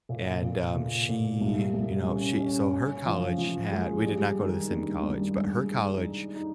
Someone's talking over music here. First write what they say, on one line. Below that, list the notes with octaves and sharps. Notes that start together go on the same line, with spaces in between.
and, um, she, you know, she so her college had we did not go to the same college, but her college
A#2
A#2
A#2
A#2
C2
C2
C#4
C#4
C#4
F3
F3
G#3
G3
D#3
G2
G2
G#3
D#4
D#4
D#4